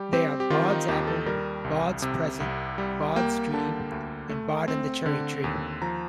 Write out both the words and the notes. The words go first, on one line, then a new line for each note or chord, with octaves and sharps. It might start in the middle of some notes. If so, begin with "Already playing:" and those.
They are: "Bod's Apple", "Bod's Present", "Bod's Dream" and "Bod and the Cherry Tree".
Already playing: G3 G4
C4 G4
G4
D#3 F4
D#4
D#2 G4
A4
G3 A#4
C2
C3
C2
G3
A#3 G5
D3 A5
D2
A3
C4
D3
D#2
F3 A#5